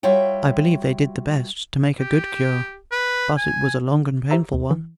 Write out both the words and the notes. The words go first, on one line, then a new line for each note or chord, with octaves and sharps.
I believe they did the best to make a good cure, but it was a long and painful one.
G3 F4 F#4 C#5 E5 G5
G4
B4
G#5
G4 C5 E5 A#5 E6
D#2
E3